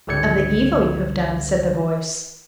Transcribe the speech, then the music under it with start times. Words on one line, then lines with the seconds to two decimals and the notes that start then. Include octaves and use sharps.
"Of the evil you have done," said the voice.
0.07 G#1 C#2 D3 G3 G#6 C#7